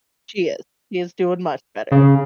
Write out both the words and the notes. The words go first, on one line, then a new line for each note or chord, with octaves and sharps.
She is, she is doing much better.
C#3